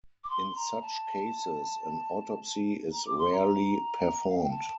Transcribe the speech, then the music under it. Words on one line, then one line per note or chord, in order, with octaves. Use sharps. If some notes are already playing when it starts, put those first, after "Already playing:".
In such cases, an autopsy is rarely performed.
D6
C6
A#5
A5
A#5
D6
C6
A#5
F5
G5
A5